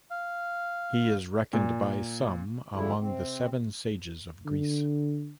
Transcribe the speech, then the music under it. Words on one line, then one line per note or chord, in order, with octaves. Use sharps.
He is reckoned by some among the Seven Sages of Greece.
F5
A#2
F2 D3 F3 G3 G#3 E4
C3 C4
D3